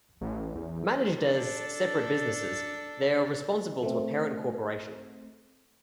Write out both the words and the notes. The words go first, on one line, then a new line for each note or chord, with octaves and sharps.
Managed as separate businesses, they are responsible to a parent corporation.
A1
E2
D4 A4
A3 C4